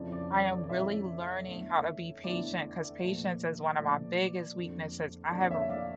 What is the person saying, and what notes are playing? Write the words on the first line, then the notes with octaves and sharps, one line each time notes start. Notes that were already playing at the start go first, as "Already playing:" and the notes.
I am really learning how to be patient, 'cause patience is one of my biggest weaknesses, I have a r
Already playing: F2 C#3 F3 C#4 E4 D5
D5
C#5
D5
D5
F2 C#3 F3 C#4 E4 C#5 E5
E2 D3 A3 E4
E2 D3 A3 E4 D5
A#2 F3 A3
A#2 F3 A3 D5
F2 D3 F3 A#3
F2 D3 F3 A#3 D5
C#5 E5
D5 F5